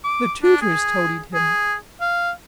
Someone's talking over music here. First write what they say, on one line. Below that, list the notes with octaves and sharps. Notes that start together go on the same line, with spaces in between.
The tutors toadied him.
D6
D4
G#4
G#4
F5